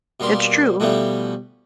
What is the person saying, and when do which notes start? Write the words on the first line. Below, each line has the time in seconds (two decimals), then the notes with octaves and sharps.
It's true.
0.20 B2 G3 A#3 C6
0.80 B2 E3 F3 G3 A3